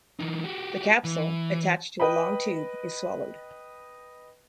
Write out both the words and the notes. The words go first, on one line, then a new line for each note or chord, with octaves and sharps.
The capsule, attached to a long tube, is swallowed.
E3 D#4
F#4 G4
E3
B4 D#5 G5 B5